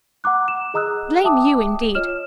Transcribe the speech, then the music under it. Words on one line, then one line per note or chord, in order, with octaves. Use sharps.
Blame you, indeed!
F#5 A#5 D6 F#6
E7
G#4 D#5 A#5 D#6 E6 F#6
E5 G5 A5 D6 D#6
F4 C#5 D#5 F6 E7